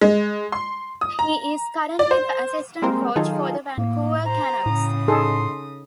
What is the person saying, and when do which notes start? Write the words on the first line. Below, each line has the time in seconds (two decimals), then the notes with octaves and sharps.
He is currently the assistant coach for the Vancouver Canucks.
0.01 G#3
0.52 C6
1.01 D#6
1.19 A#5
1.99 D5
2.11 C5
2.82 G3 G#3 A#3 C4 A#4 C5
3.16 D#3 F#3 D#4 F4 G#4 A4
3.78 A2 A#3
4.26 C5 A#5
4.66 A2 C#3 D#6
5.08 D#4 G#4 A4 C6